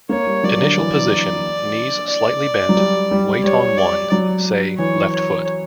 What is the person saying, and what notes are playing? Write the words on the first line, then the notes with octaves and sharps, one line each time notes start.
Initial position: knees slightly bent, weight on one, say, left foot.
A#3 C#5
G3
F#3 D5
D3
E3
D5
F#3
G3
G3
G3 C#5
D5
F#3
E3 C#5
C#5